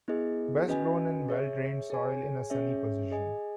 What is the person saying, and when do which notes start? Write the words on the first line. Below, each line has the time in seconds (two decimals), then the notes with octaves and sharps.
Best grown in well drained soil in a sunny position.
0.08 B3 E4 G#4 D#5
0.68 C#4 F#4 B4 D#5 G#5
1.28 G#4 C#5 E5
1.90 G#4 C#5 G#5
2.50 C#4 G#4 C#5 E5
3.11 G#4 D#5 G#5